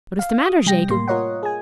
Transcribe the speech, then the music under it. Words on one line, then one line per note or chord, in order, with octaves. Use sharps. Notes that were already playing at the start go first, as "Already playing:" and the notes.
'What is the matter, Jegu?
F5
D#6
C3 G3 G5 A#6
A2 A#3 C6
F4 A#4 C#5 D#5 F#5
G#4 G#5